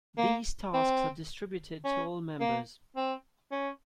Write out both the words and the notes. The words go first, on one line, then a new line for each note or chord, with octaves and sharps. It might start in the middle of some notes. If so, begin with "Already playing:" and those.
These tasks are distributed to all members.
A#3
C4
C#4
A#3
C4
C#4